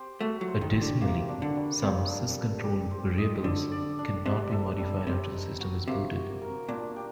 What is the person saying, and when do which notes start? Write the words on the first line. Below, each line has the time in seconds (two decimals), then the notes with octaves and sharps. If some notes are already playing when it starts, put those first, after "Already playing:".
Additionally, some sysctl variables cannot be modified after the system is booted.
Already playing: C4 G4 C5
0.20 A3 F#4
0.41 F#3
0.48 C5
0.61 D#3
0.75 C4
0.81 D3
1.01 C3 A#3
1.29 D4
1.42 D3
1.56 G3
1.82 C3 A#3
2.09 D4
2.37 A4
2.64 G4
2.91 C5
3.18 D#5
3.44 D3 A4
3.72 D5
3.99 D4
4.26 C3 D4
4.52 A4
4.80 G3
5.06 C3 C4
5.34 D#4
5.60 F#4
5.88 C3 A#3
6.15 F#4
6.42 A#4
6.69 A#2 D4
6.96 G4